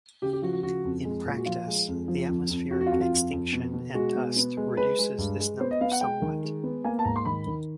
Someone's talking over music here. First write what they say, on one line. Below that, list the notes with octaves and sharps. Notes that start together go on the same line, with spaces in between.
In practice, the atmospheric extinction and dust reduces this number somewhat.
C#3 G4
G4
F3 F#4
F#4
C#3 F#4
F2
G#3
A#2
F#4
F3 F4
G#3
F2
F3
F2
F2
F2 F#4
F#4
F4
F2 F#4
F4
F2
F2
B2
B2
G#3 F#4
B2
B3
G#3
G#3 B4
G#3
G2
G#3
B3 C5
D#5
B3 F5
F#5
G#3 G5
D#3
G#3
B3
A#3 G#5
A5
G#2 A#5
C6
D#3 B5
D#3